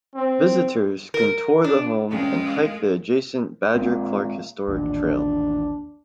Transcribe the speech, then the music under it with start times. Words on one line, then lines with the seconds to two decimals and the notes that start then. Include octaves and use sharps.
Visitors can tour the home and hike the adjacent Badger Clark Historic Trail.
0.15 C4
1.14 A#4
1.64 D4
2.11 E2 G#3 C#4 F4 G5
3.75 A#2 G#3 C4
4.68 A1 D#2 A#2 D4